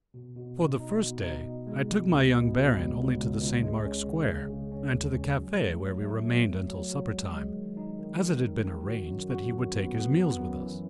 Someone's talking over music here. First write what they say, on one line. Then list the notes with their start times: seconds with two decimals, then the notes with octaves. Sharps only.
For the first day, I took my young baron only to the St. Mark's Square and to the cafe, where we remained until supper-time, as it had been arranged that he would take his meals with us.
0.14 B2
0.36 B2
0.58 D#4
0.80 D#4
1.01 B2
1.23 D#4
1.45 B2
1.67 G#3
1.89 B2
2.11 C#2
2.32 B2
2.54 B2
2.75 C#2
2.97 C#2
3.19 C#2
3.41 C#2
3.63 G#3
3.84 C#4
4.06 C#3
4.28 C#3
4.50 C#3
4.72 C#4
4.94 D#2
5.16 C#4
5.37 F#3
5.59 A3
5.80 F#3
6.02 A3
6.24 F#3
6.47 F#3
6.68 F#3
6.90 F#3
7.12 G#3
7.33 G#3
7.56 D#3
7.77 D#4
7.99 D#3
8.21 D#3
8.43 D#3
8.64 D#3
8.86 F#4
9.08 F#2
9.30 F#4
9.51 F#2
9.73 B3
9.95 B3
10.16 B3
10.39 F#2
10.61 E3